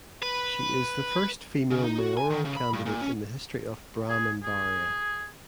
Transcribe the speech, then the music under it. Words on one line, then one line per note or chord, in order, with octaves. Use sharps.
She is the first female mayoral candidate in the history of Brahmanbaria.
B4
C#3
D#4
F#4
G#5
D#3
C#3
B5
G2
A#2
C#4
G#4
G#4